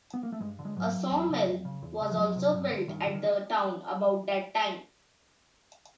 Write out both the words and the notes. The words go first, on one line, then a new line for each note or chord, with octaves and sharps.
A sawmill was also built at the town about that time.
B3
A#3
A3
G2 G#3
D3
G#3
G#2 F#3
E2
C#3
F2
C#3
E2
C#3
F3
F2 F#3
C3
G2
D3
G2 D#3
D3
D#3